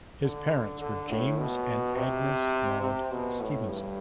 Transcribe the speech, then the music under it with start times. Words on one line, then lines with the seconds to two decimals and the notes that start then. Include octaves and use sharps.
His parents were James and Agnes Maud Stephenson.
0.23 D3
0.81 D3
1.10 A2
1.38 B2
1.96 C3
2.82 C3
3.12 B2
3.41 A2
3.69 G2